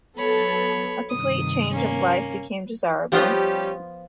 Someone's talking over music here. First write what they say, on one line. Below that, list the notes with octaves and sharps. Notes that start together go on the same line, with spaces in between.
A complete change of life became desirable.
F#3 B3 A4 C#5 B5
G2 C3 D#3 D#6
A#3 C#4
F3 G3 B3 C#4 F4 G4